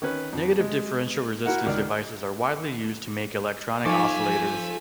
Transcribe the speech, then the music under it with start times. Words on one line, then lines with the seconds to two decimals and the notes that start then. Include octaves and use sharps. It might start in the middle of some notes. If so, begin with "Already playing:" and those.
Negative differential resistance devices are widely used to make electronic oscillators.
0.02 D#3 C#4 B4
0.33 F2
0.60 G#3
1.46 E4 F#4 A#4 E5 F#5
1.66 C#2 D#3 D5 F6
3.85 F3 D#4 A4 F5 G#5 C#6 D6 B6